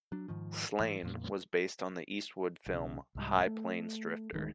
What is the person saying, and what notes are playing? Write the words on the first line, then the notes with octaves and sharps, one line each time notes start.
"Slain" was based on the Eastwood film "High Plains Drifter".
F#3 D4
G#2 D#3 F3
G#2 E3
F2 A#2
B1 C#3
C2 G#2 G3
A3
D1 A1 D#3 G#3